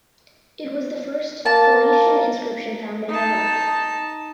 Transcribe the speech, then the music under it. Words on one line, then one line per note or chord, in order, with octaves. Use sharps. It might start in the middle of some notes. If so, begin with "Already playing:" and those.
It was the first Phoenician inscription found in Iraq.
A#3 A5
D#4 A5